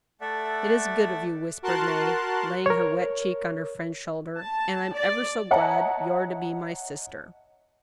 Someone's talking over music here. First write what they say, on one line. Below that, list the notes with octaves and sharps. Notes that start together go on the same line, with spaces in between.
"It is good of you," whispered May, laying her wet cheek on her friend's shoulder; "and I'm ever so glad you're to be my sister."
A3 A4 D5 E5 F#5
F#4 A#4 A5 C6 F#6
A#4 C#5
A5
D5
C#5 D#5 E5 F#5 A5 A#5